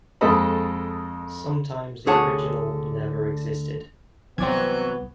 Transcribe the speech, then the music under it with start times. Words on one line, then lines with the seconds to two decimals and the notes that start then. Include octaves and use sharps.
Sometimes the original never existed.
0.21 F2 G#3 A#3 A4 D#5 B5
2.06 D2 D3 G#4 C#5 F#5 A5
4.38 C2 E3 F#3 B3 C4 D5 G#6